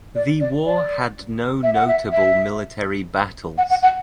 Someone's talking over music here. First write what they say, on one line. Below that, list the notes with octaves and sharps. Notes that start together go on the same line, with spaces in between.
The war had no notable military battles.
D5
D5
D5
E5
F#5
E5
E5
F#5
F#5
F#5